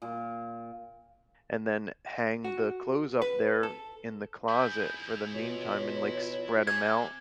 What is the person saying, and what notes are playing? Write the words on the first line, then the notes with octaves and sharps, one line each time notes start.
and then hang the clothes up there in the closet for the meantime and, like, spread 'em out.
A#2
F#4
B4
A4
E4 G#4 G6
B2 F4 C#5
C3 G#5 G#6